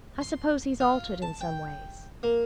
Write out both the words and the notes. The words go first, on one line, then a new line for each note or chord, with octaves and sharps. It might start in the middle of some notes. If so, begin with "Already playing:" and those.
'I suppose he's altered in some ways?'
C6
F4
A5
G5
A#3